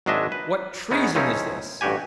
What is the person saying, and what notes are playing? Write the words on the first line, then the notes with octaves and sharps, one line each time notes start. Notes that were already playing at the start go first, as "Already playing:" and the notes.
"What treason is this?"
G#1 F#3 G#3 D4 D#5 E5
B4
E2 B3 C#4 D#4
C#2 F3 C4 C#4 D#4 E4
A1 G2 F#4 G4 G#5